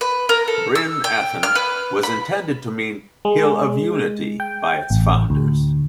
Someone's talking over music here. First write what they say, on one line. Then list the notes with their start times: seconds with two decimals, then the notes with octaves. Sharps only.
"Bryn Athyn" was intended to mean "Hill of Unity" by its founders.
0.01 B4
0.29 A#4
0.48 A4
0.75 E6
1.04 G5
1.43 F6
1.55 B4
2.03 B5
3.25 G#3
4.40 G5
4.90 A1
5.30 D2